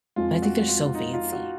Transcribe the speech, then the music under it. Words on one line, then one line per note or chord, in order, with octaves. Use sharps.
but I think they're so fancy.
F2 F3 G#3 F4
F#4
F4
D#4
F4
F#4